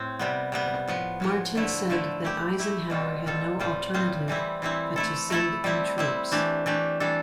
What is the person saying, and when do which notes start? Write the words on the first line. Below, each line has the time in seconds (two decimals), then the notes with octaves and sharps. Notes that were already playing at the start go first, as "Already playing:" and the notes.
Martin said that Eisenhower had no alternative but to send in troops.
Already playing: A2 C4
0.19 C3 G3 B3
0.52 C3 G3 B3
0.88 A2 F3 B3
1.20 A2 F3 B3
1.55 D3 F3 A3 E4
1.90 D3 F3 A3 E4
2.24 A3 E4 G4
2.58 A3 E4 G4
2.90 B2 G3 C4 F4 A4
3.24 B2 G3 C4 F4 A4
3.59 A2 G3 C4 F4 C5
3.94 A2 G3 C4 F4 C5
4.28 E3 G3 C4 E4
4.62 E3 G3 C4 E4
4.96 A3 E4 A4
5.30 A3 E4 A4
5.64 G3 C4 E4
5.98 G3 C4 E4
6.32 E3 A3 D4 G4
6.66 E3 A3 D4 G4
7.00 E3 G3 D4 A4